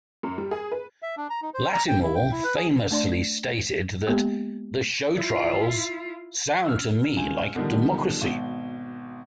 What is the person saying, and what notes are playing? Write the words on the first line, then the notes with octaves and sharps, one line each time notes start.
Lattimore famously stated that the show trials "sound to me like democracy".
F#2
G3
G#4
B4
E5
D4
A#5
D#4
C5
A#5
G5
E4
G5
E4
B4
G#4
A3 D4 D5 C6
G#3 A#3 B3 G4
E4 F4
E6 F6
C#2 G#5
B2 D3 D#3 F3 G3
G#1 B2 G7